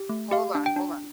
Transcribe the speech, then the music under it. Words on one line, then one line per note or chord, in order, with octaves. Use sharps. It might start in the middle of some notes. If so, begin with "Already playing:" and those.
Hold on, hold on.
Already playing: G4
A3
G4 F5
D4
G5
D4